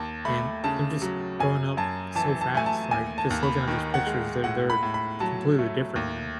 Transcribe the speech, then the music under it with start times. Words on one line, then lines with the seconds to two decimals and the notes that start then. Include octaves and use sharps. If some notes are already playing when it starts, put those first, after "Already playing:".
and they're just growing up so fast, like, just looking at those pictures, they're they're completely different now.
Already playing: D#2 A5
0.25 A3 B5
0.64 C#3 A5
1.02 F#3
1.39 F#2 G#5
1.77 F#2 A5
2.15 E3 A5
2.41 A5
2.55 A3 G#5
2.66 A5
2.91 D#2 G#5
3.18 A5
3.30 D#2
3.43 B5
3.68 D#3
3.94 F#5
4.06 G#3
4.44 A2 F#5
4.70 B5
4.83 A2
4.94 B5
5.20 F#3 A5
5.59 A3
5.96 D#2